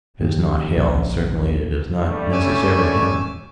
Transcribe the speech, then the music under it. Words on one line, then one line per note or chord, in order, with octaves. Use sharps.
It is not Hell, certainly it is not necessarily Heaven.
D#2
A#1
D3 G3 A3
C#4 G#5 D6 E6